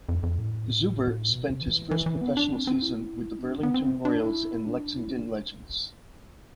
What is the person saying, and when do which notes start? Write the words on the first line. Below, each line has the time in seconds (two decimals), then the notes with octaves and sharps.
Zuber spent his first professional season with the Burlington Royals and Lexington Legends.
0.09 F2
0.23 F2
0.38 A2
1.30 B2
1.46 C3
1.61 E3
1.91 E3
2.06 E3
2.21 B3
2.37 D4
2.52 C4
2.67 C4
2.82 E4
3.39 C4
3.43 D4
3.63 B3
3.74 C4
4.05 D4
4.20 E4
4.66 D4
4.97 E4
5.11 D4